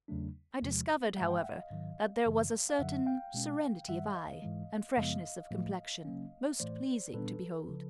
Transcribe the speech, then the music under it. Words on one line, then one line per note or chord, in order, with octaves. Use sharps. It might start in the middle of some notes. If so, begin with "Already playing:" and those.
I discovered, however, that there was a certain serenity of eye, and freshness of complexion, most pleasing to behold.
E2 C#3 F#3 A3 D4
E2 C3 F3 G#3
G2 E3 G#3 E5 F#5
F5 G5
E5 F#5
D#5 F5
G#2 D#3 F#3
F#2 C#3 E3
F5
F#2 D3 F#3 E5 F#5
F5 G5
B2 G#3 C#4
G2 D#3 G3 E5 F#5
D#5 F5
G#2 E3 G#3
F#2 C#3 F3 G#3 B3 D#5 F5
A2 F3 A3
C#3 F#3 A#3 C#4
A2 E3 A3 C5 D5
A#2 G3 B3 D4 A4 B4
C#3 F3